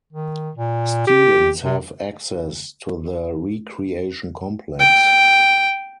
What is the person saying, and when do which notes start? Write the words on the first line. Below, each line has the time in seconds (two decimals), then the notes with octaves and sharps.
Students have access to the recreation complex.
0.13 D#3
0.55 A#2
1.07 G4
1.63 C3
4.80 G5